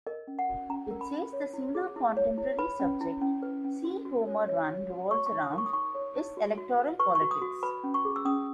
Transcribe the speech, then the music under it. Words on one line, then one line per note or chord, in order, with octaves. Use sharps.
It says the "single contemporary subject" "See Homer Run" revolves around is "electoral politics".
A#4 D#5
C#4
F#5
F#4
C#4 A#5
A#4
B5
C#4
C#5
E4
G#4
E4
C#5
E4
B4 B5
C#4
E4
C#4
B4
C#4
F#4
F#4
C#5
C#5
F#4
F#4
C#5 C#6
C#6
D#4
D#6
A#4 C#6
D#6
D#4 C#6
C#5
D#4
F#4
F#4
B4
B4 C#6
C#6
F#4
D#6
F#4
B4 B5
C#4
C#6
G#4
E6
C#4 D#6